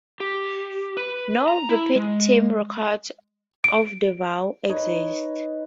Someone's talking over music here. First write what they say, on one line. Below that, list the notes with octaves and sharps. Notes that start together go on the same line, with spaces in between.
No verbatim record of the vow exists.
G4
B4
A#5
E4
G#3
D7
D#4 B4 C#5